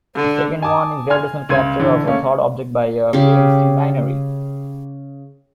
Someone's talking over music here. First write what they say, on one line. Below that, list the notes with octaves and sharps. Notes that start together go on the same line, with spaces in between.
The second one is gravitational capture of a third object by a preexisting binary.
D3
G#5 A5 D6 D#6
G#5 C6 F6 G#6
C#2 C6 G#6 D#7
D3 E3
A3 A#3 C#4
C#3 G4